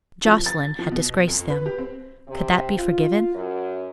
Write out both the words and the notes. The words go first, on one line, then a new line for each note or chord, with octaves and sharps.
Joscelyn had disgraced them; could that be forgiven?
F3
A6
F3
B2
F2
B4
G4
C4
C3
F4
F#2